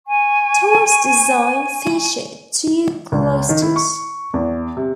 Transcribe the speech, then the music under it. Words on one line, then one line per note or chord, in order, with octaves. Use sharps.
Torres's design featured two cloisters.
G#5 C#6
C#2
D#3
E4
C#6
E2
C3